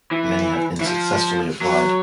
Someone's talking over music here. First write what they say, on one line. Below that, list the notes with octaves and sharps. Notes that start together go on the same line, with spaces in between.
Many have been successfully applied.
E3
E3
F3
F#3